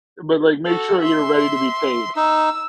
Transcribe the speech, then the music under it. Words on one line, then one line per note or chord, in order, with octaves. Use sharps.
but like make sure you're ready to be paid.
F#4 A4
E5 C6
D#4 E6